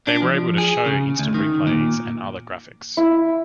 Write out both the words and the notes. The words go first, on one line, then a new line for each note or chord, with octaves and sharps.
They were able to show instant replay and other graphics.
D4
F3
G#4
C#3
D2
D#3
A#2
E4